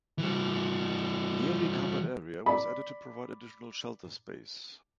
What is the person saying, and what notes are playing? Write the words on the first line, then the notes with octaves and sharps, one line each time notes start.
Newly covered area was added to provide additional shelter space.
E3 G3
D5 B5